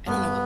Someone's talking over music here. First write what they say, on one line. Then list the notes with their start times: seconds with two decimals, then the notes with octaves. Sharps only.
I don't know,
0.06 G2 B3